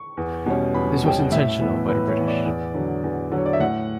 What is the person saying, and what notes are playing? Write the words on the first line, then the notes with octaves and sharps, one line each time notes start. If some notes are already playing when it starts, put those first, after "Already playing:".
This was intentional by the British.
Already playing: C#6
E2
B2 G3 C#4
E2 B5
B2 G3 C#4 G5
F#5
A2 E5
E3 B3
A2 B4
C#5
E3 B3
D5
E2
D3 F#3
E2
D3 F#3
C#5
D5
E5
A2 F#5